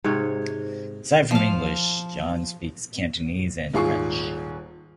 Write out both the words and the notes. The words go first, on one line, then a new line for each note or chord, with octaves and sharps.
Aside from English, Yan speaks Cantonese and French.
G#2 C3 C#5
F3 F5
D#1 G#2 F4 G#4 C#6 C7